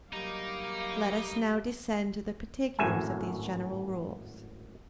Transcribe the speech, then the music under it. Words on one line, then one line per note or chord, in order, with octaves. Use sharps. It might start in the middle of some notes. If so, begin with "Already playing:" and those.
Let us now descend to the particulars of these general rules.
F#3 G3 A#3 D#4 F5 D6
G#1 F#2 A2 E5 G#5